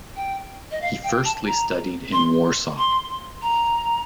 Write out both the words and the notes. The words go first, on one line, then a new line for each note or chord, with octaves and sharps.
He firstly studied in Warsaw.
G5
D#5
F5
G5
A5
A#5
C6
C6
A#5